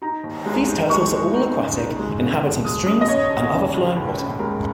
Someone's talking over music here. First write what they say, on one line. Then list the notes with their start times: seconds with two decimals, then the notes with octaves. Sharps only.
These turtles are all aquatic, inhabiting streams and other flowing water.
0.02 D#4 A#5
0.23 D#2
0.46 G#3
0.68 D#4
0.90 G#3 C#6
1.12 G#3
1.33 D#4
1.55 C#3
1.76 D#4
1.99 G#3
2.21 C#3
2.42 D#2
2.65 G#3 D#6
2.86 C#3 D#6
3.01 D#5
3.08 C#3 C#5
3.30 D#2
3.52 C#3
3.74 C#2
3.96 C#2
4.18 C#2
4.39 G#3 A#4